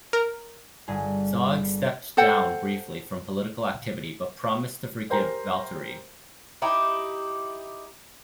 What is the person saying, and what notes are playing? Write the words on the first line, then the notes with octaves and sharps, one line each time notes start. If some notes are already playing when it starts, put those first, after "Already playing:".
Zog stepped down briefly from political activity, but promised to forgive Valteri.
A#4
G1 G#4
A4 C5 F#5 G5
G4 A#4 C5 G5 G#5 A#5
D#4 E4 G4